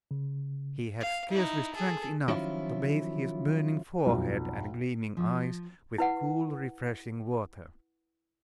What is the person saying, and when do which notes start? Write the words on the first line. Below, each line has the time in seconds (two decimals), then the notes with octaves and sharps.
He had scarcely strength enough to bathe his burning forehead and gleaming eyes with cool, refreshing water.
0.11 C#3
1.01 F5
1.31 D#4 E4
1.74 G#4 A4
2.28 D#3 F3 F#3 C#4 E4 F4
4.06 B1 F2
5.17 F3
5.98 E4 B4 F#5